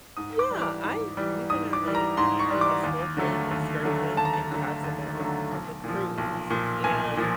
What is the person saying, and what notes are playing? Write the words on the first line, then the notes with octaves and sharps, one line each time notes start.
Yeah, I we went on a, uh, a snorkeling excursion in Cozumel from the cruise, and
G#2 D#6
D6
E3 G3
D6
G#2
E3 G3
G#2 D#6
D6
E3 G3
A#5
G#2 C6
C#6
E3 G3
D6
D#2
D3 F#3 A3
D#2
D3 F#3 A3
D#2 A5
A#5
A5
D3 F#3 A3
D#2
D3 F#3 A3
B1
A#2 F3
B1
A#2 F3
B1 G#5
A#2 F3